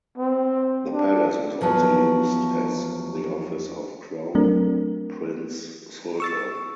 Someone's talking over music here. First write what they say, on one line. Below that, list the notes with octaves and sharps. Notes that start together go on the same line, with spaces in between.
The palace was also used as the office of Crown Prince Sultan.
C4
D4
E2 F3 F#3 B3
F#3 A3 C4 D4 A#4
C#6 E6 A6